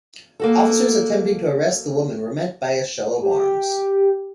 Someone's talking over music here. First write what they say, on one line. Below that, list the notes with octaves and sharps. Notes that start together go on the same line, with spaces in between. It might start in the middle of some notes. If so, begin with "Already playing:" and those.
Officers attempting to arrest the woman were met by a show of arms.
A#3 F#4 A4
G4